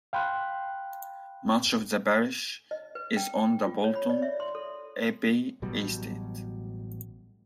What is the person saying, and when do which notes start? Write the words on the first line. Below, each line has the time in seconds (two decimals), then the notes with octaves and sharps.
Much of the parish is on the Bolton Abbey estate.
0.13 F5 G5 B5 C6 F#6
2.71 D#5
2.95 B4
3.17 G5
3.38 G5
3.67 F4
3.84 C#5
3.95 B5
4.09 D5
4.22 E5
4.40 C6
4.55 A4
5.62 A1 B2 F#3 G3